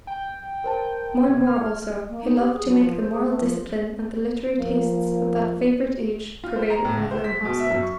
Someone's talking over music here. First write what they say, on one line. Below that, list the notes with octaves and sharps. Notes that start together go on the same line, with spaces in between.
More and more also he loved to make the moral discipline and the literary tastes of that favourite age prevail in his own household.
G5
A#4 C5 A5
C3 G#6
F6
A#3
D#4
G4
G#4
F#3
F3
C5
G#4
A3
F3
F3 A#3
F4
C5
A#5
A2
C#2
C5
B6
B2
E5
F#2
C#6